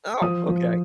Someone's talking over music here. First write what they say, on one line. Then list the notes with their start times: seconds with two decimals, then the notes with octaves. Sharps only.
Oh, okay.
0.22 F3 D#6
0.49 F3